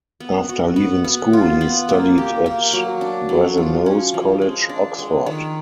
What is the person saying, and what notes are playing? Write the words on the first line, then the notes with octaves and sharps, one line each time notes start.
After leaving school he studied at Brasenose College, Oxford.
B3
F#4
B3
B3
F4
B3
A#3
G4
A#3
F#3
D4
F#3
F3
C#4
F3
G#3
D4
G#3
D#3